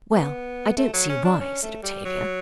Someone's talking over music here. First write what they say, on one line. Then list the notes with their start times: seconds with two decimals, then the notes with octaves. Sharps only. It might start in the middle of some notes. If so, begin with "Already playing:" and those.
"Well, I don't see why," said Octavia.
0.15 B3
0.77 A3
0.93 F#3
1.09 C#4
1.25 D4
1.41 C#4
1.63 A3
1.83 G3
2.05 F#3